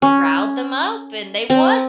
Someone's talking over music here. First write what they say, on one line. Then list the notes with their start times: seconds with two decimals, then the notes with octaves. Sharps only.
riled them up, and they won.
0.02 C#4
1.50 C4